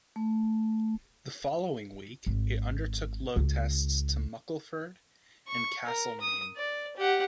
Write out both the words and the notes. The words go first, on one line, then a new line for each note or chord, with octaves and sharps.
The following week it undertook load tests to Muckleford and Castlemaine.
A3
G#1
C#2
C#6
A#4
D#6
D5
G4 F#5